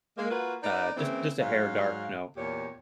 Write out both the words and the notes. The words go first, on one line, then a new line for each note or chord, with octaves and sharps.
uh just just a hair dark no.
G#3 A#3
A#3 F4 F#4 B4
D#4 B4 D5
C#3 E3 A#3 C4
G#2 F#3 F5
E2 A#2 G4 C#5